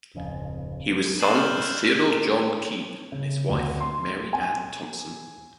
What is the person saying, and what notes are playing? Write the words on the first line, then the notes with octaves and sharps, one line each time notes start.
He was son of Theodore John Keep and his wife Mary Ann Thompson.
D1 F2 C#3
E6 F#6 A6 C7 E7 F#7
F6 G6 F#7
C#3
D2
C6
G#5